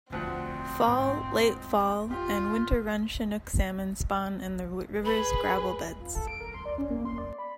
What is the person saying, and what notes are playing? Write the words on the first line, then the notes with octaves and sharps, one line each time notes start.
Fall-, late-fall-, and winter-run chinook salmon spawn in the river's gravel beds.
D2 F3 C4 F#5
G#2
F4 G4
G#4 B4 B5
F4
A4
D7
A#4
C6
D5
C#4
A#3
C6
D5
B5